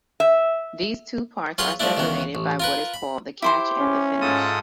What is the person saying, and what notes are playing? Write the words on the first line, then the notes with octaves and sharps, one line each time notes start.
These two parts are separated by what is called the "catch" and the "finish".
E5
F#3 F4 G#4 B4 F5 C6
F3 G3 A3 D4 E4
C#2 D#3 E3 B3
A1
F4 A#4 B4
B5
E4 G4 C5 C6
C#4
G#2 F4 A4 D#6